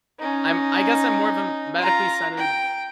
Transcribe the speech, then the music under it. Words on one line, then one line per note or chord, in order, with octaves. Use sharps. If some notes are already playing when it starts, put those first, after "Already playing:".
I'm I guess I'm more of a medically centered
C#4 D#4
F4 A#5
G5